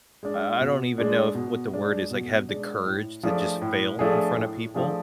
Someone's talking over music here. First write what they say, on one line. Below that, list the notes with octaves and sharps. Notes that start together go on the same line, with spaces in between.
I I don't even know if what the word is like, have the courage to just fail in front of people,
G#3 D4
B2
G#3 D4
B2
G#3 D4
B2
G#3 D4
A2
F3 A3 D4 G#4
A2
F3 A3 D4 G#4
A2
F3 A3 D4 G#4